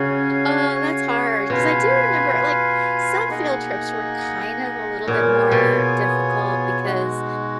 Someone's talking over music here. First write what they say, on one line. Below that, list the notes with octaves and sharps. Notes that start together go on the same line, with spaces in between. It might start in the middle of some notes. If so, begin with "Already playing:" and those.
Oh, that's hard, 'cause I do remember, like, some field trips were kind of a little bit more difficult because
Already playing: C#3 F#4 C#5 F5 G#5
B2 F4 B4 F5 G#5
A#3 D#4 G#4 D#5 F#5
A#2 B3 F4 G#4 C#5 G#5
B2
G#3 D#4 F#4